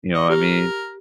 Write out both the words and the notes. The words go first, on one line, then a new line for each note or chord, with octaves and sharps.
you know what I mean?
D#5
G4 A#4